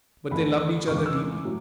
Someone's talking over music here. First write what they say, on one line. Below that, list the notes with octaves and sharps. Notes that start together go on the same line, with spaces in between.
But they loved each other deeply.
E2 D3 A3 B5
E2 C#3 G#3 C#6
D6
E6
D6
A2 F#3